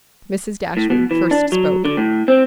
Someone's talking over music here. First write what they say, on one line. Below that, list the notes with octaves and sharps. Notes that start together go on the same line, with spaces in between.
Mrs. Dashwood first spoke.
A2
B2
E3
D4
F#3
D3
A2
C4